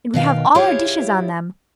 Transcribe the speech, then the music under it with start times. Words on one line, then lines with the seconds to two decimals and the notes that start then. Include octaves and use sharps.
And we have all our dishes on them.
0.14 B2 D#3 F5 G5
0.55 E4 F4 G4 G#4 C#5